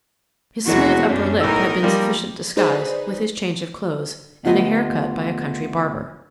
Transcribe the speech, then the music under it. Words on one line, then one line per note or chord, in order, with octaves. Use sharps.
His smooth upper lip had been sufficient disguise, with his change of clothes, and a hair-cut by a country barber.
D#2 B2 E3 F#3 G#3 F#4
F#2 C#4 D4
B1 A2 D#4 A#4 D#5 E6
F3 G3 A#3
D#4 G#4 B4 C5 D5
D2 B3 F4 G4 B4 D#5